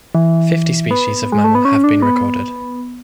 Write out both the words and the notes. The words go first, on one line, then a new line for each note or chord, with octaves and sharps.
Fifty species of mammal have been recorded.
E3
B3
G#3
A3
B3
C#4
D4
B3